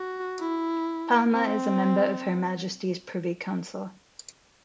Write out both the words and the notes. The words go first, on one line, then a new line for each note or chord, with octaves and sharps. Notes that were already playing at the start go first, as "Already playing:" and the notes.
Palmer is a member of Her Majesty's Privy Council.
Already playing: F#4
E4
C4